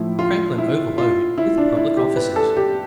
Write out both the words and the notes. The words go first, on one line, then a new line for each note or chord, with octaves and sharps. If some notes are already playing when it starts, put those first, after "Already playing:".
Franklin overloaded with public Offices.
Already playing: A2 F3 A3 E4
F4
E4
F4
E4
D4
E4
G4
B4
A4
G4